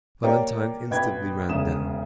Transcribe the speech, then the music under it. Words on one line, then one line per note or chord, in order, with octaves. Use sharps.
Valentine instantly ran down.
A#3 G4 A#4 C#5 D5 G5
A1 B2 D4 G5 B5 G#6
E1 D2 C#3 D#6 E7